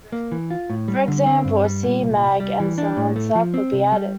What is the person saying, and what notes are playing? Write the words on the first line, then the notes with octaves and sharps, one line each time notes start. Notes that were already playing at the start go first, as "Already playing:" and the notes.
For example, a C-mag and silencer could be added.
A#3
E3
F4
A2
G3
D3
C4
G2
G3
A#2
C2
C2
G3
E3
D4
A2
A3
F3
C4
C3
G3